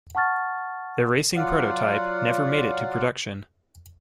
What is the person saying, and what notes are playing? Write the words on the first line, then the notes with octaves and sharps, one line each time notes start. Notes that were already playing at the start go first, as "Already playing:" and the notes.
The racing prototype never made it to production.
F#5 A5 C#6 F6 A6
F#3 F4 D5 F5 F#5